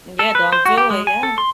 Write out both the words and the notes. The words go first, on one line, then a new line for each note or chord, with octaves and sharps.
Yeah, don't do it. Yeah.
A4
B4
C5
F#4
G4
G#3
G#5
A4
C6